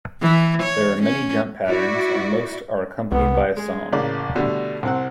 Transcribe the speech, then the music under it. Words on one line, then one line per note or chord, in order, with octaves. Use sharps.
There are many jump patterns and most are accompanied by a song.
E3
C#5
C#4
E4 F#4 D5
C2 B3
G#3 G#4
A1 C#3 A#3 D5
B2 D3 G3 A3
C2 C4 F#5